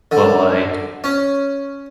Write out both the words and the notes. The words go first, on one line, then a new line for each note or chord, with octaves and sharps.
but, like
D3
C#4